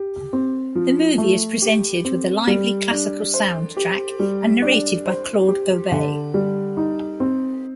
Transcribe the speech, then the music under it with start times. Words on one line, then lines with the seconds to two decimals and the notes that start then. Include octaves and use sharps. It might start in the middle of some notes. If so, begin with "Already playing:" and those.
The movie is presented with a lively classical soundtrack and narrated by Claude Gobet.
Already playing: G4
0.33 C4
0.75 F3
1.18 A3
1.62 G4
2.05 C4
2.47 G3
2.91 D4
3.34 C5
3.77 G4
4.20 G3
4.62 D4
5.06 C5
5.48 G4
5.92 D3
6.34 G3
6.77 D#4
7.20 C4